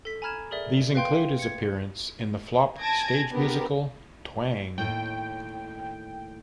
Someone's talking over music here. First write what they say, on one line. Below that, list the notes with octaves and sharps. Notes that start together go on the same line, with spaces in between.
These included his appearance in the flop stage musical Twang!
A4 B6
G#5 A#5 B5 F6 G#6 E7
G#4 A#4 D5 E5
B4 F5 G5 C6 G6
D#7
G#6 C#7
G#5 A5 G#6 A#6 D7
B3 D4 G4 A#4
D#2 A2 G5